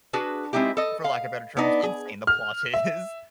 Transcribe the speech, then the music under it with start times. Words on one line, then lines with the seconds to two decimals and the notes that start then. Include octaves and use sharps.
for lack of better terms, insane the plot is.
0.13 D4 F#4 G#4 B4
0.53 G#3 C4 D#4 E4 G4
0.77 A4 D#5
1.04 F5
1.57 B3 D4 D#4
1.83 G#4
2.27 F6
2.74 E5